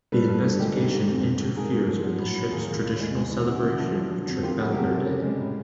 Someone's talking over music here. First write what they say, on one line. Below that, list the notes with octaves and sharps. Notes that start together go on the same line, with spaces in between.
The investigation interferes with the ship's traditional celebration of Trafalgar Day.
G3 A4 B4
G2
D3
G#3 G4 A4
G#2
G#2
F2
F2
D3
G#2 G#4 A#4
G#2
F3
F#3
A2
A2
D#2 G#4 A#4
D#2
D#2
G#3
G#3
E3
C#3 E4 F#4
C#3
F3
F#3
D3
F2
D#3 F4 G4
F#3 F#4 G#4
A#4
C3 G4 A4
C#3
C#3
G#3
A2